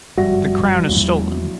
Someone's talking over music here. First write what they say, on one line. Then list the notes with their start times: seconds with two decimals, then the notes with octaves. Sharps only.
The crown is stolen!
0.18 G1 F#2 F3 G3 F#4 E5 A#6
0.89 A#1 E2 F#3 G#3 E4